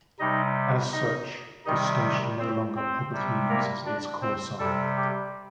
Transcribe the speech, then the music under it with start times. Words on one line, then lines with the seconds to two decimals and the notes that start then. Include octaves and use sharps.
As such, the station no longer publicly uses its callsign.
0.19 C3 G3 D#4 D#5
0.92 D#4 D#5
1.65 C3 D#3 G3 D#4 D#5
2.39 C4 C5
2.76 C4 C5
3.12 C3 G3
3.49 A#3 A#4
3.86 D4 D5
4.22 C4 C5
4.59 C3 G3 A4
4.96 G4